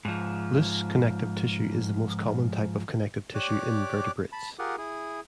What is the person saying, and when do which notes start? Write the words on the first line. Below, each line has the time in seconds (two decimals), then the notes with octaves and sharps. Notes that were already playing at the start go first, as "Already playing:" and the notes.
Loose connective tissue is the most common type of connective tissue in vertebrates.
0.05 G#2 F3
3.35 G4 C#5 D5 D6 F#6
4.32 A5 B5
4.59 F4 G4 G#4 A#4 F#5
4.78 E4 G#4